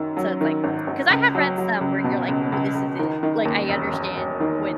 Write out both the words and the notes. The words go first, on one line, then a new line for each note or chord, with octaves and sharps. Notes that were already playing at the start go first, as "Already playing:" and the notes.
so it's like 'cause I have read some where you're like, "Ooh, this isn't" Like, I understand what,
Already playing: F#2 D#3
F#3
D#3
G#1
G#1
C#2
F#3
F#3
C#2
B2
C#2
C#2
C#2
D#3
D#3
D#2
E1
E1
E1
D#3